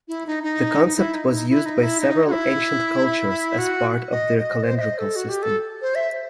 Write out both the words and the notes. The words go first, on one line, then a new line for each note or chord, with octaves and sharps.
The concept was used by several ancient cultures as part of their calendrical system.
E4
D#4
D#4
D#4
E4
D#4
D#4
E4
D#4
E4
D#4
F#4
E4
F#4
D#5
D#5
C5
E5
D#5
A4
F#4
G4
A4
C5
E5